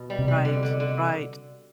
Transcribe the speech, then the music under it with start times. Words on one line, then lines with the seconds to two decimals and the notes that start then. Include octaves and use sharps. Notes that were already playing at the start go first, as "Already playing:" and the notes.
Right, right.
Already playing: B2
0.10 G3
0.19 C3
0.28 G3
0.45 D3
0.63 D3
0.80 D3